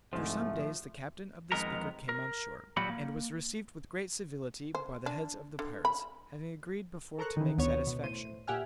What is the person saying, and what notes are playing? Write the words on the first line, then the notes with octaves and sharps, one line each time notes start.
After some days the captain of the Speaker came on shore, and was received with great civility by the heads of the pirates, having agreed before to make satisfaction.
C2 G#2 F3 A3 C4
F2 D#3 G#3 B3 A#4 A#5
A#4
A#2 F#3 G3 F#4 B5
A#3
C5
D4
D3
B5
A4 A#4 C5 A#5 C#6 F#6
D#3 E3
D2 B3 C#5
B2
A2 C5 D#7
A#2 G4 E5 F#5 G#5 F6